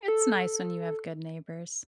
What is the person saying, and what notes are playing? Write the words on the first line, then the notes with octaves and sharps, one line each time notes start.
It's nice when you have good neighbors.
A4